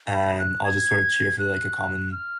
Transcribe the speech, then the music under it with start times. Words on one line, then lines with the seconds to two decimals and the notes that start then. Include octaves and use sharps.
and I'll just sort of cheer for like a common
0.14 B5
0.39 F#6
0.64 G#6
1.39 F#6
2.12 F6